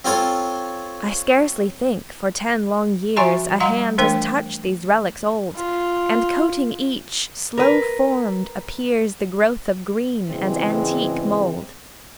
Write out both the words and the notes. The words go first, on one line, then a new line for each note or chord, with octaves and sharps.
I scarcely think, for ten long years, A hand has touched these relics old; And, coating each, slow-formed, appears The growth of green and antique mould.
C4 F4 A4 C5 C#5
F3 F#4 E5 G#5 A#5 C6
G3 F5 F#5 A#5 C6
E3 A3 D4 A#4 C5 G5
F4
A#4 B4
G#1 E2 C#3 E3 G#3 C4